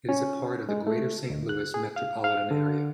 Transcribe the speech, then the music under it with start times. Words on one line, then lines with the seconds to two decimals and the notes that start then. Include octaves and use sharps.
It is part of Greater Saint Louis metropolitan area.
0.09 C#4
0.69 G#3
0.87 A3
1.30 D2
1.49 F#6
1.74 G#4
1.96 F5
2.24 F5
2.51 D3